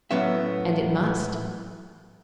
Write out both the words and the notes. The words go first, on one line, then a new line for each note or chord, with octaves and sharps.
And it must.
A2 F#3 B3 C#4 E5